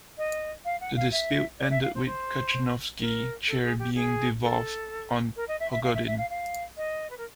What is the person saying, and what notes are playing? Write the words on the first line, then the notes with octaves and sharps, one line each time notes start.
The dispute ended with Kachenovsky's chair being devolved on Pogodin.
D#5
F5
F#5
F5
E5
D5
E5
F5
C5
C5
A#4
A4
G#4
G4
G#4
A4
A#4
D#5
E5
E5
F5
E5
E5
F5
F5
D#5
B4
A#4